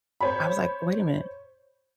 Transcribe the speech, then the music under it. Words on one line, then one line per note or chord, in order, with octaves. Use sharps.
I was like, "Wait a minute."
C5 C#5 B5